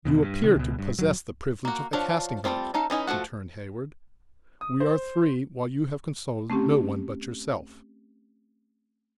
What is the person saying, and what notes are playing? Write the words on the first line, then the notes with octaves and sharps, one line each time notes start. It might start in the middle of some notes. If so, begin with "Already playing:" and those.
"You appear to possess the privilege of a casting vote," returned Heyward; "we are three, while you have consulted no one but yourself."
E2 B2 D#3
G2
C3 D#3
C#2 B2
G2
D#1 A#1 F#3
A#3 F#4
F3 D4 C#5 F5 F#5
G3 A3 A#3 C4 F4
C#4 D#4 A4 F5
E3 C#4 D#4 G#5
F3 A3 F#4 F#5
D#6
C5
A3 C4 C#4 G4